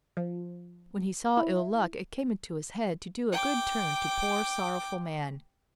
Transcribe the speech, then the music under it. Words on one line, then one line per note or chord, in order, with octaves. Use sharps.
When he saw Ill-Luck it came into his head to do a good turn to poor sorrowful man.
F3
E4
G5 D6